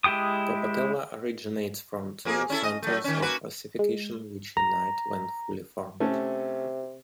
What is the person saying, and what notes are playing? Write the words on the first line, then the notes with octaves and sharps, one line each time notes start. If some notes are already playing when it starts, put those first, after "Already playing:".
The patella originates from two centres of ossification which unite when fully formed.
G#3 E4 G4 G5 D#6
F2 A#3 G#4
C#4 E4 A4
D#5
F#3 A3
D#3 C#4
A#3 F#4 B4
G#3
A#5
C3 A3 C#4